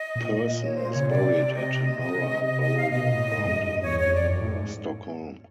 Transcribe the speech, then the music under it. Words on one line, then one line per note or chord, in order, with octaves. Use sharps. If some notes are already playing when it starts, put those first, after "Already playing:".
Persson is buried at Norra burial ground in Stockholm.
Already playing: D#5
A#2
C#5
C5
C#3 C#5
C3 D5
D#5
C3 D#5
C#3
C3
D#5
D#5
F5
B2 D#5
A2
G#2
F2
F#2
G2
E2 C#5
C#5
F2
D5
F#2
A2
G#2